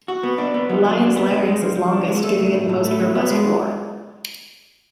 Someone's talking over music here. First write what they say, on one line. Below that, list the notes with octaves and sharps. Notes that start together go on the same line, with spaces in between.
The lion's larynx is longest, giving it the most robust roar.
F#4
B3
D4
B3
F#3
F#3
D4
B3
D4
G#3
F3
F3
D4
G#3
A3
F#3
A2
A2
A3
F#3
B3
G#3